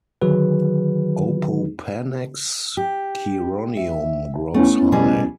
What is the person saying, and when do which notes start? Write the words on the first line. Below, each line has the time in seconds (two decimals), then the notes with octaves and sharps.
"Opopanax chironium" grows high.
0.22 D3 D#3 F#3 F#4 G#4 B4
2.77 G4
3.77 E5
4.54 A3 B3 C#4 E4
4.92 B2 G3 G#4